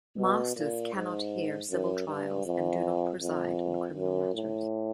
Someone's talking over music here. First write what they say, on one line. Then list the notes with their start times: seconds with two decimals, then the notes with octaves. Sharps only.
Masters cannot hear civil trials and do not preside in criminal matters.
0.19 B2
0.56 A#2
0.94 G#2
1.70 F#2
2.07 G2
2.45 F2
3.21 F2
3.96 F#2
4.34 A2